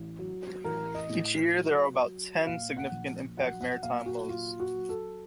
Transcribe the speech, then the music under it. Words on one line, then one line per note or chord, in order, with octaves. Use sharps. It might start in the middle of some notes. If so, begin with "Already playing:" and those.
Each year there are about ten "significant impact" maritime lows.
Already playing: A1
F#3
A1 A#4
D#5
A2
F#3
F#3
A#2 F5
F#5
A#1
F#3 F#5
F#5
A#2 F5
F#4
F#3 F4
F#4
F#3
A4